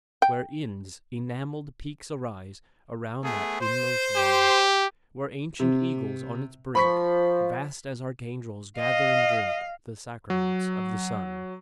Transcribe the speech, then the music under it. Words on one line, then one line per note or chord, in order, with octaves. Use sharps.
Where Ind's enamelled peaks arise Around that inmost one, Where ancient eagles on its brink, Vast as archangels, gather and drink The sacrament of the sun.
G5
A3 B3 G#4
C5
G4
C3
F3 B5 C#6 B6
D#5 F5
F#3